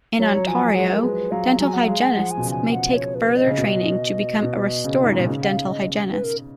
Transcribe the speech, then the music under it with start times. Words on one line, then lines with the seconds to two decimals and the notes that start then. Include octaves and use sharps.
In Ontario, dental hygienists may take further training to become a restorative dental hygienist.
0.19 F#3 C#5
0.36 F#3
0.47 F3 G#5
0.75 G#3 F#5
0.93 A#4
1.03 G#3 B4
1.31 F#3 F5
1.60 F#3 G#5
1.74 F#5
1.88 G#3 F5
2.01 G#5
2.10 F#5
2.17 F3
2.31 G#5
2.37 B2
2.45 C#3
2.51 G#5
2.72 F#5
2.94 C#5
3.15 B4
3.36 D#5
3.47 C#3
3.58 B2
4.42 B2
4.84 C#3
5.03 G#2
5.11 A#2
5.19 B2
5.27 C#3
5.43 F#5
5.48 F5
5.69 D#5
6.12 B4
6.24 A#4